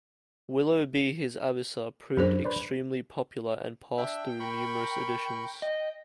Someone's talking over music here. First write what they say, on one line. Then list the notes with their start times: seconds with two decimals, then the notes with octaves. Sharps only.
"Willobie his Avisa" proved extremely popular, and passed through numerous editions.
2.17 F#2 D4 G#4 C5
2.45 B4 C5 D5
3.98 D4 E5 G5
4.40 A#4 B5 C#6
5.62 D#5